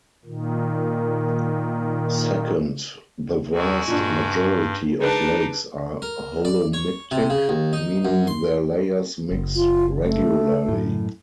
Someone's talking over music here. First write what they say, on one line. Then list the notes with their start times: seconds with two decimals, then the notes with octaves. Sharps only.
Second, the vast majority of lakes are holomictic, meaning their layers mix regularly.
0.25 A#2 D#3
3.53 E2 G#3 F#4
3.88 G2 A#2 D4
5.00 G#3 D4 D#4 B4 A5
6.02 A#4
6.45 D5
6.73 C#5
7.11 C3
7.30 C#3
7.49 D#2
7.73 D#4
8.05 F#2
8.27 C6
9.31 F#1
9.56 F4
10.03 A3
10.69 F#2 A2